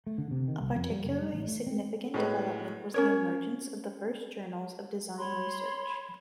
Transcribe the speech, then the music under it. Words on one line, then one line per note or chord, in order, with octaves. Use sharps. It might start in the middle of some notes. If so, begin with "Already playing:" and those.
A particularly significant development was the emergence of the first journals of design research.
A3
D3
C3
D#3
C2
F2
G3
F#1
G3
A1
A3
C4
A2 G#3 B4
C#4 A#4 C#5
C#5 B5 C6